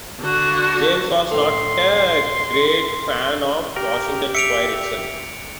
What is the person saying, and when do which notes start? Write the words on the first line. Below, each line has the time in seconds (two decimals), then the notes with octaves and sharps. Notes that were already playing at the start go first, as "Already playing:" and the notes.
James was not a great fan of "Washington Square" itself.
0.21 D3 F#4
1.31 A2 D3 C6
3.76 G4 A#4
4.35 E5 C#7 D7 F7